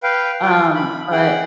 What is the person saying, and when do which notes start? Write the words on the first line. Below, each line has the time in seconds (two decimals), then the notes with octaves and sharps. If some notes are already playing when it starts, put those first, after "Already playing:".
um, but
0.03 B4 F5 G5
0.43 F4 G5
0.75 B5
1.11 G#4 F#5 G5